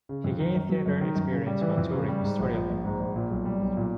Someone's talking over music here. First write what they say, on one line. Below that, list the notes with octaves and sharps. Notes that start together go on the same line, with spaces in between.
He gained theatre experience while touring Australia.
C#3
F2
D#3
F#2
F#3
F#2
D#3
F#2
C#3
G3
E3
F2
C#3
G3
G#2
A#1
F3
A#1
G#2
A#1
A#2
B1
G3
B1
A#2